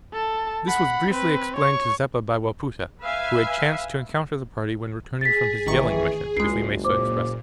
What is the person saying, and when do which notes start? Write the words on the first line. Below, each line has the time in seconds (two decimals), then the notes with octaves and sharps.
This was briefly explained to Zeppa by Wapoota, who had chanced to encounter the party when returning from his yelling mission, if we may so express it.
0.13 A4 A5
0.68 F#5 B5
1.12 C4 B4
1.57 C#5 C#6
3.01 B4 E5 F5 G#5
5.21 G#4 A6 B6
5.67 A1 D#3 E3 C#6
6.37 F#1 C#2 G#3 C7
6.85 A#2 C5 D6